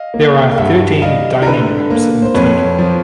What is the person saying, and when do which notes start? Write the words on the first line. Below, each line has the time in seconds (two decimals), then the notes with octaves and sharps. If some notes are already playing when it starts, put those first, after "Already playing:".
There are thirteen dining rooms in total.
Already playing: D#5 F5
0.14 A#3
0.51 F5
0.58 G2 E5 F#5
1.02 G3 D#5 F5
1.42 A#4
1.46 D3 A4 B4
1.90 A#3
2.22 C5
2.34 F2 B4 C#5
2.79 F3